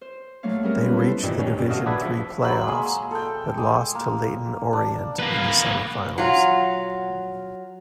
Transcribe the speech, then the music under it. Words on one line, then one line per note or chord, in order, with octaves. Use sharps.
They reached the Division Three playoffs, but lost to Leyton Orient in the semi-finals.
C5
F#3 A3 A#3 D4 C#5 F5
G3 C4 C#4 G4 G#4 A#4
B3 B4
E4 A4 C5
G2 A#2 D#3 E3 G3
D#3 C#4
G2 G3
B2 A3 F#4 D#5 F5
D4 F#4 G#4 B4 E5 G#5
F3 E5
F#3 E5 B5 C6
G#3 A#3
A4 G5
G#3 D6
A#3
D4
A#3 B4
F#3 F4